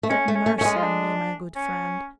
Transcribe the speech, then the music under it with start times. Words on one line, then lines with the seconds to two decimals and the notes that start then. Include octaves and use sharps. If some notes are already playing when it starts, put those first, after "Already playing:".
Have mercy on me, my good friend.
0.03 A3
0.10 G#3 C#4
0.28 A3
0.35 C#4
0.46 A3
0.58 A3 C#4
0.65 G#3
0.76 F4
0.83 D4
1.56 C#4